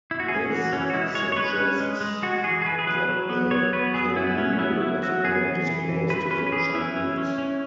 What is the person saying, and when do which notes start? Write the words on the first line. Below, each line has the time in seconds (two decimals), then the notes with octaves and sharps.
This suggests that the Kangnido was never disclosed to the Chinese.
0.11 E4
0.20 F#4
0.28 C#4 G#4
0.50 E3 F#4
0.73 E3 C#4
0.90 F#4
0.93 G#3 E4
1.14 G#3 C#5
1.32 C#5
1.36 G#3 B4
1.58 C#4
1.80 G#3
2.01 G#3
2.23 G#3 F#4
2.38 F#4
2.44 E3 G#4
2.61 G#4
2.65 E3 B4
2.79 G#4
2.87 F#3 B4
3.09 F#3
3.30 B3
3.51 F#3 C#5
3.73 B3 B4
3.94 F#3 G#4
4.16 B3 E4
4.27 E4
4.37 F#3 C#4
4.53 C#4
4.59 B3 E4
4.81 F#3 E4
5.02 F#3 F#4
5.24 B3 G#4
5.45 E3
5.67 E3
5.89 E3
6.10 E3 B4
6.31 C#4 B4
6.47 B4
6.52 E3 G#4
6.74 E3 E4
6.96 C#4
7.18 C#4
7.38 C#4